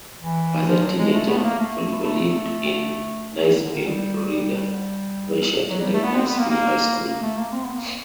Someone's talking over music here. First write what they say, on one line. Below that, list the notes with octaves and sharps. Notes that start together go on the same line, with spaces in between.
As a teenager, Oliver lived in Niceville, Florida, where she attended Niceville High School.
E3
F3
F#3
G#3
A3
B3
A3
A#3
A3
A3
E3
D#3
D3
D#3
G3
G3
F#3
G3
A3
B3
C4
B3
A#3
A#3
A#3
A3
A#3
C4
B3
A#3